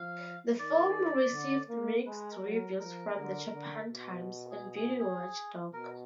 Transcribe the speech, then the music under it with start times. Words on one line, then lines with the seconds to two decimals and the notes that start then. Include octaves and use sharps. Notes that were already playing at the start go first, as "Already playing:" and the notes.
The film received mixed reviews from "The Japan Times" and "Video Watchdog".
Already playing: F3 F5
0.59 D#3 D5
1.33 D3
1.69 A#3
2.06 G#3 B4
2.19 G#4
2.30 A#4
2.43 F#3
2.55 A#4
2.79 F3 A#4
3.16 D3
3.53 D3
3.90 B2
4.51 G#4
4.76 G#4
5.00 G#4
5.73 B2 A#4